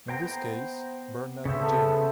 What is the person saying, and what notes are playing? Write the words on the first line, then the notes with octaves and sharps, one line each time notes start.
In this case, Bernard J.
B3 C5 G5 A#5
C#3 B3 C5 C#5 E5
A4